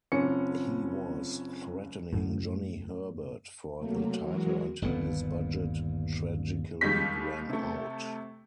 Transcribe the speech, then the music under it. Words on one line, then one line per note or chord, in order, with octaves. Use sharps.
He was threatening Johnny Herbert for the title until his budget tragically ran out.
F#1 C4 C#4 F4 C#7
F#2 A2
C3 F#3 A3 A#3
E3 F#3 G#3 F#4 A#4
G1 D#2 A#2 B3
D#2 G3 G#3 G6 B6
C3 A3